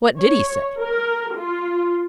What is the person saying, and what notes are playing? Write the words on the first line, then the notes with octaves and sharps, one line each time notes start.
"What DID he say?"
C#5
A#4
F4